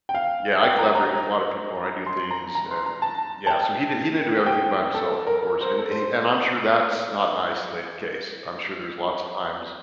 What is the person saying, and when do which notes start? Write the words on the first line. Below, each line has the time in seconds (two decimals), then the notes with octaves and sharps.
yeah, I collaborate with a lotta people when I do things and y yeah. So he did he didn't do everything by himself, of course. And he and I'm sure that's not an isolated case. I'm sure there's lots of times
0.09 G5
0.15 F5
0.63 G5
0.79 A#5
0.95 A#5
2.06 C6
2.31 A#5
2.55 A#5
2.71 C6
2.86 A#5
3.02 A5
3.47 A5
3.50 G5
4.46 G5
4.94 A4
5.27 A#4
5.43 A#4
5.61 C5
5.67 A#4
5.78 A4
5.91 C5